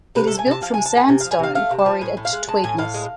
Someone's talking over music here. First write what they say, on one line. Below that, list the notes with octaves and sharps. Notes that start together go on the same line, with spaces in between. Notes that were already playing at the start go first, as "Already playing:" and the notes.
It is built from sandstone quarried at Tweedmouth.
C3 B4
A4
A3
G#5
C3 A5
F3 F5
G#5
C3
A5
A3 G#5
C3 G#5
F5
F3
G#5
C3 F5
A3 F5
C3
A5
F3
A2 G#5
A2
F5
G#3
G#3 A5
A2 G#5
A2 F5
G#3